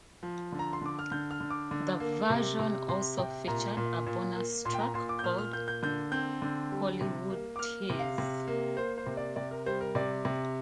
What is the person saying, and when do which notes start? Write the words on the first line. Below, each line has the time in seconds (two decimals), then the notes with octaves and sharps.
This version also featured a bonus track called "Hollywood Teaze".
0.23 F3
0.52 D3
0.59 A#5
0.73 C6
0.82 D3 D6
0.99 F6
1.11 D3 G6
1.31 F6
1.40 D3
1.50 D6
1.71 D3
2.00 A#3
2.30 C3
2.59 C3
2.89 C3 C6
3.18 C3 G5
3.48 A#2 A#5
3.77 A#2
4.07 A#2
4.35 A#3
4.65 A#2 C6
4.73 G5
4.80 A#5
4.94 A#2 C6
5.09 D6
5.19 G6
5.24 A#2 F6
5.38 F6
5.53 A#3 G6
5.68 G6
5.83 D3 G6
6.12 C4 G6
6.42 D3
6.71 G3
7.01 C3
7.30 A#3
7.56 D6
7.59 A#3 F6
7.90 C3
7.99 F5
8.18 C3
8.47 A#3
8.77 A#3 C5
8.98 C5
9.07 C3
9.17 D5
9.36 C3 D5
9.51 A#4
9.66 G3 C5
9.81 A#4
9.95 C3 D5
10.25 C3